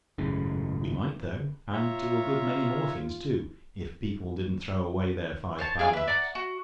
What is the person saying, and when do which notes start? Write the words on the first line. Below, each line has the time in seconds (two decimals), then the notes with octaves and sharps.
We might though, and do a good many more things too, if people didn't throw away their five pounds.
0.18 G#1 F#2 A2 C#3
1.73 F4 C#5 E5 A#5
5.59 C5 C#5 A5
5.79 G#4 D5 F5 G#5
5.93 B4 E5
6.07 D5 F#5 A#5
6.35 F#4